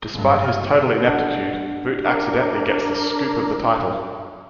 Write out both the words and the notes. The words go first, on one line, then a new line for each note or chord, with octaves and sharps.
Despite his total ineptitude, Boot accidentally gets the "scoop" of the title.
F#1 G2
F6
A3 D4 F#5
D4 A#4